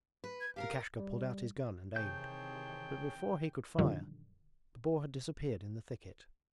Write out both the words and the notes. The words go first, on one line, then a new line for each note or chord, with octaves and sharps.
Lukashka pulled out his gun and aimed, but before he could fire the boar had disappeared in the thicket.
B4
G#6
G4 A4 A#4 F5
G3
C3 D#3 E3 G#4 C#5 G5 A5 G6
F#2 A#2 D3 D#3 F3 G3